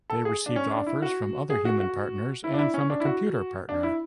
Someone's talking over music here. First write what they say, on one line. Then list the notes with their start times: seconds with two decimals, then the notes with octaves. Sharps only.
They received offers from other human partners and from a computer partner.
0.10 A4
0.25 G#4
0.46 D4
0.56 C#4
0.71 D4
0.86 E4
1.02 F#4
1.50 G#4
1.65 F#4
1.80 F#4
2.44 E4
2.54 D4
2.59 E4
2.74 C#4
2.90 D4
3.00 E4
3.05 F#4
3.69 D4
3.83 E4